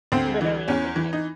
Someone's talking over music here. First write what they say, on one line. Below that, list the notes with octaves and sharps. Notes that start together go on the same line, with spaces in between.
Literally everything.
D2 C4
E3
E2 C#4
E3
D#4